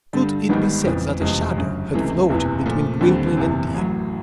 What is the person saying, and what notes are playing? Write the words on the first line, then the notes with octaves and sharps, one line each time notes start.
Could it be said that a shadow had floated between Gwynplaine and Dea?
G2 D3 G3
G#1 G#2 D#3 G3 B3
F2 C#3 E3
F1 E2 C#3 F3 G#3
G1 F#2 C#3
C#2 C3 E3 A3 C#4
F#1 E2 C3 E3
A#2 F3 A3
D#2 D3 G3 C4
F#1 E2 C3
A1 A2 F#3